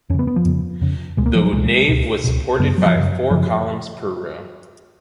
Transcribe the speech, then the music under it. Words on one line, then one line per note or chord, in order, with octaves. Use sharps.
The nave was supported by four columns per row.
F2 C#3 B3 C#4
B3
F3
F2 C#3
F2 C#3
C#2 B2 G#3
A#3
F3
F#3
C#2 B2 G#3
C#2 B2
C#2 B2
F#2 C#3 B3
F#3
F3
F#2 C#3
F#2 C#3 F3